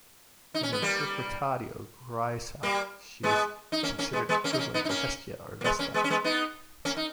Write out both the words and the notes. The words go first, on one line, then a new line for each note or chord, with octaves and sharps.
In the "interpretatio graeca", she was considered equivalent to Hestia or Vesta.
D#4
C#4
B3
G3 A#3
G3 A#3
G#3 B3
D#4
A#3 C#4
A#3 C#4
G#3 B3
G#3 B3
A#3 C#4
D#4
A#3 C#4
B3 D#4
D#4
A#3 C#4
A#3
G#3 B3
A#3 C#4
G#3 B3
C#4
G#3 B3
B3 D#4
A#3 C#4
D#4